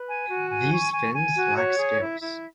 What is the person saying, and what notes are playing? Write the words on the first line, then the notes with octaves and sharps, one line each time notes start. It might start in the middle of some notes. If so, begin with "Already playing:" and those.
These fins lack scales.
Already playing: B4
G#5
F#4
G#5
C#6
G#5
G#5
F#4
C#5
G#4
E4
E4